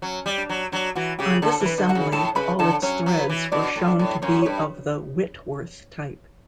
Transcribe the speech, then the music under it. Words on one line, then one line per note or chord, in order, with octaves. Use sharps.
On disassembly, all its threads were shown to be of the Whitworth type.
F#3 C#4
G3
D4
F#3
F#3 D4
E3 F#4
C#3 G4
D3 A4
E3
B4
D3
F#4 F#5
C#3
A2 A4 A5
C#3 B4 B5
D3 A4 A5
F#3 C#4 C#5
F#3
B4
E3
B2 D4 D5
A2
D4 D5
A2
F#2 C#4 C#5
C#5
G2 B4